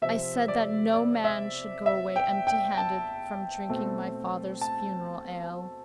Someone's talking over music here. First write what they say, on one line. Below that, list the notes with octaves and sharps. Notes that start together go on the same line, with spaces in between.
"I said that no man should go away empty-handed from drinking my father's funeral ale."
C3 F3 C4 E5
D5
D5
E5
E5
G5
G5
A5
B2 A3 C4
A5